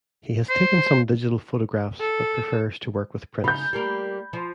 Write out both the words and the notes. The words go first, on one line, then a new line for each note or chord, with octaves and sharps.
He has taken some digital photographs but prefers to work with prints.
C5
A4
C#3 D#4 B5 G6
G3 A#3 A#4
F3